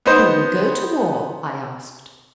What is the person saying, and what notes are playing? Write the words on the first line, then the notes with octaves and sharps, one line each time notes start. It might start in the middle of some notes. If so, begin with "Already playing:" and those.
"Who will go to war?" I asked.
B3 D#4 C5